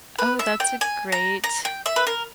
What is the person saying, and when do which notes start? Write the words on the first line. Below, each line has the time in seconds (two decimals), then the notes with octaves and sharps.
Oh, that's a great
0.18 B4
0.39 E5
0.60 G5
0.81 G#5
1.12 A#5
1.44 A#5
1.65 G5
1.86 E5
1.96 B4
2.07 A#4